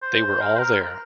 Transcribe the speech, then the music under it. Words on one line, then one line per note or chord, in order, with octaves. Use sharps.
They were all there.
C5
A#4
C5
A#4